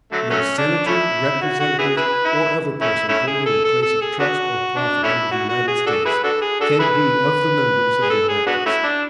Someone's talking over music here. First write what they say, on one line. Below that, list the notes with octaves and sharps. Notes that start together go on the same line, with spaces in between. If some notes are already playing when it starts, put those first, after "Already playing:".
No senator, representative, or other person holding a place of trust or profit under the United States, can be of the numbers of the electors.
D3 F#3 A3
F#3 A3 C#4
D4
A3 C#4 E4
F#4
F#4
B3 E4 G#4
E4 G#4 B4
E4
A3 C#4 E4
A3 C#4 E4
G#4
A4
A4
A4
G#4
B3 D4 F#4
D4
A3 C#4 E4
F#4
F#4
G#4
D4 F#4 A4
E4 G#4 B4
D4 F#4 A4
G#4
D4 F#4 A4
E4 G#4 B4
G#4
A4
G#4
B3 D4 F#4
A3 C#4 E4
D4